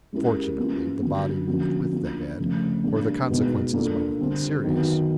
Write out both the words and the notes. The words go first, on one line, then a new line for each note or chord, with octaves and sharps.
Fortunately, the body moved with the head, or the consequences might have been serious.
G#3 C#4 E4 G4 A#4
E3 G3 A#3 C#4 F4
D3 F#3 A#3
D3 F3 A#3 C#4 F#4
A#3 D4 F4
C#3 F3 A3 C4
G3 A#3 D4
B2 G#3 B3 D#4
A#3 D4 F4 A4
D3 G3 C4
D#3 F#3 B3 D#4